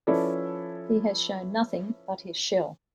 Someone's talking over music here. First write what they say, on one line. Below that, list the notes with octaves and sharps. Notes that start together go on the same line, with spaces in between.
He has shown nothing but his shell.
F3 C#4 E4 A4 B4 D5